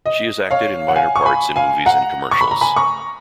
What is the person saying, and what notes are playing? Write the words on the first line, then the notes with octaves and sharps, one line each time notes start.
She has acted in minor parts in movies and commercials.
D#5
C#5 F5
F#5
F5 G#5
C#6
G#5 B5
F5 G#5
F#5 A#5
C#6
B5
A#5
G#5 B5
A#5 C#6